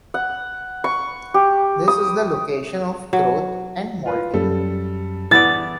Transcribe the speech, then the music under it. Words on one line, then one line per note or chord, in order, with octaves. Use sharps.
This is the location of growth and molting.
F#5
C#6
G4
D#6
F#3
F4 B4
F#2 G3 A4
E3 B3 D5 A6